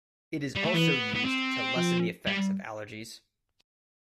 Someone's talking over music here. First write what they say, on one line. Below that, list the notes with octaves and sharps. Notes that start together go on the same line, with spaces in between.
It is also used to lessen the effects of allergies.
G3
A3
E3 B3
B3
C4
F3
G3